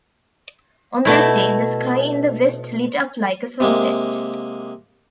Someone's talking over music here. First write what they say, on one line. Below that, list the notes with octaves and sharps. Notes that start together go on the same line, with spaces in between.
On that day, the sky in the west lit up like a sunset.
B2 A3 E4
C3 G#3 A#3